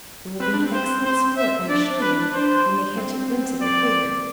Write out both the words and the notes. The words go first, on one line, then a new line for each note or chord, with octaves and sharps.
It will be excellent sport, I assure you, when they catch a glimpse of your figure.
C4 B4
D4
C4
C5
C5
E5
D4 D5
B4
C5
C4
D5